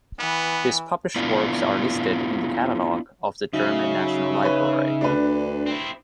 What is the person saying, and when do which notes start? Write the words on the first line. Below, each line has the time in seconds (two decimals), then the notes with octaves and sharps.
His published works are listed in the Catalog of the German National Library.
0.19 E3 B3
1.16 B3 D4 E4 F4
3.53 C#3 F#3 D#4 E5
4.43 B4 C#5
5.01 D2 D4 B4
5.66 C4 E4